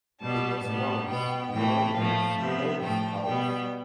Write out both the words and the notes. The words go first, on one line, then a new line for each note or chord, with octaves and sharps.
It was once known as Coles House.
B2 G3 B3 A5
A2 G3 B3 A5
B2 B3 G5
A2 E3 A3 G5
A2 F3 A3 F5
C3 F3 B3 E5
A2 F3 A3 G5
B2 G3 B3 G5